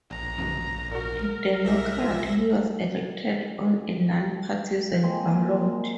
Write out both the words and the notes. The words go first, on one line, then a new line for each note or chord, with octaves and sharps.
A Democrat, he was elected on a non-partisan ballot.
A#1 A#5
A#2 F#4 A#4
C2 C3 G3 E5 A#6
F4 C5 G#5
G#3 A#3 C4